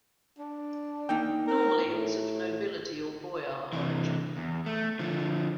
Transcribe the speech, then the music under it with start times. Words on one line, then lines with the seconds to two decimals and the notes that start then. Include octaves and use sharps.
Normally it was of Nobility or Boyar origin.
0.38 D4
1.09 A#3 D#4 G5
1.47 A#4
1.87 A2
3.73 C3 E3
4.37 E2
4.66 A3
4.99 D3 F3